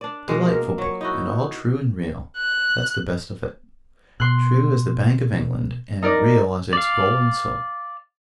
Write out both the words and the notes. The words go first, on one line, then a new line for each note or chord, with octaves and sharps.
It's a delightful book, and all true and real--that's the best of it--true as the Bank of England, and real as its gold and silver.
D4 D5
B2 G#3 A#3 F5
A#4
F#3 C#5
D#4 E4 F#4
F#6
B2 C6 F#6
D#4 A#4 D5
D5 F5